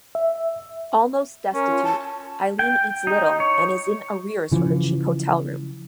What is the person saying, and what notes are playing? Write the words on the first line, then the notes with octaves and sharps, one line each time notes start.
Almost destitute, Eileen eats little and is in arrears for her cheap hotel room.
E5
C#4 A#4
F4
A5
G5
D#4
C#5
C#3 E3 F3